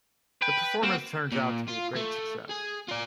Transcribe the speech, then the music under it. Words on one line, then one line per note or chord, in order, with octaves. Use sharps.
The performance turns out to be a great success.
B4 G5
A#3 C4 F#4 F#5
A#2
F4
A3
G#4
F4 D5